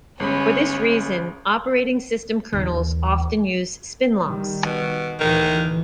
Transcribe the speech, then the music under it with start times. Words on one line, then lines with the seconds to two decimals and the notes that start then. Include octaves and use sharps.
For this reason, operating-system kernels often use spinlocks.
0.20 G1 G#3 C#4 B5
2.53 D#2 E3
4.21 D#3 G3
4.65 B2
5.20 D2 A#2 D#3 E3